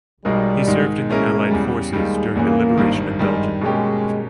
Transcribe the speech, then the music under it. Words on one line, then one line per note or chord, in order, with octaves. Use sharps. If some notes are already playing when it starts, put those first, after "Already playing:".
He served in the Allied forces during the liberation of Belgium.
B1 B2 G3 G#3 D#4 A#4
G#2 D#3 G#3 D#4
B2 G#3 A#3 C#4 E4 A#4
E2 C#3 G3
D#2 D#3 G3 G#3
E2 C#3 E3 A#3
G#1 G2 D#3
G2 D#3 G3 G#3
B2 G#3 A#3 C#4 G4